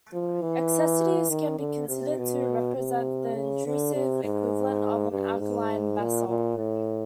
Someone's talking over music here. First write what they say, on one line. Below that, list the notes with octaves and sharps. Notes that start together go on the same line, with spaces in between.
Essexites can be considered to represent the intrusive equivalent of an alkaline basalt.
F3
E3
D#3
D3
C3
B2
C3
C#3
D3
C3
G#2
G2
G#2
A#2
A#2
A2